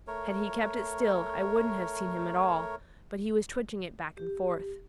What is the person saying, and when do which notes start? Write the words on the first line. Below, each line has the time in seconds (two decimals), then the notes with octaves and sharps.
Had he kept it still I wouldn't have seen him at all; but he was twitching it back and forth.
0.07 A3 A#4 C#5
4.17 G4